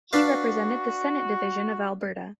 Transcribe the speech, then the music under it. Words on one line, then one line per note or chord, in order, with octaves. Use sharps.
He represented the senate division of Alberta.
D4 F#4 B4 F5